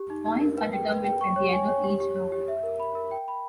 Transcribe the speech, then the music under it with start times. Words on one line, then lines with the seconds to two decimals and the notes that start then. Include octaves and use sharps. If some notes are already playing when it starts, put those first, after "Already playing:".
Points are determined at the end of each round.
Already playing: G4
0.10 D#4
0.26 D#4
0.41 A#4
0.57 B4
0.73 G5
0.88 B4
1.04 G5
1.21 C#6
1.36 C#5
1.52 G#5
1.68 C#5
1.84 G4
2.00 G4
2.16 C#5
2.32 G4
2.48 E5
2.63 A#4
2.80 B5
2.95 A#4
3.11 G5
3.28 B5